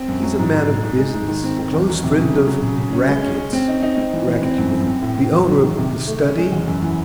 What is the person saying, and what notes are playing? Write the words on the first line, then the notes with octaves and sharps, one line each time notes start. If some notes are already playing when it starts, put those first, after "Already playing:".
He's a man of business; close friend of Rackett's--Rackett, you know, the owner of The Study.'
Already playing: C4
F#2
F#3
G#2
G#2
G#2
G#2
G#3
G#2
D#3
C4
D#3
E2
F#3
C3
C#3
F#3
F#3
C#3
C#3
C#4
G#3
C#4
C#4
C4
D#4
D#4
C4
E3
E3
C4
F#2
E3
C4
A2
C4
E2
F#3
D#3
C3
C3
A3
C#4
G#3
E2
F#2
E3